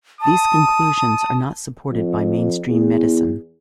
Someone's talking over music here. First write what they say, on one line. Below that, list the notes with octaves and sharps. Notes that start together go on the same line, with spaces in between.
These conclusions are not supported by mainstream medicine.
A5 D#6
F2
E2